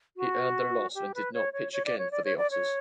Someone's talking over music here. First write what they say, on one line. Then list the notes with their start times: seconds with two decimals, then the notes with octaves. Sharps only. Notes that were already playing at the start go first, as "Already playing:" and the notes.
He earned the loss and did not pitch again for the Otters.
0.17 F#4
0.95 G4
1.15 B4
1.34 C#5
1.53 C#5
1.73 C#5
1.85 D5
1.98 C#5
2.11 D5
2.25 C#5
2.37 D5
2.51 C#5